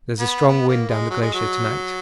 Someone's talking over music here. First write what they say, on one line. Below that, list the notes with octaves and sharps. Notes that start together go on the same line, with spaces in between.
There is a strong wind down the glacier to-night.
B3
B3
A#3
G#3
F#3
G#3
F#3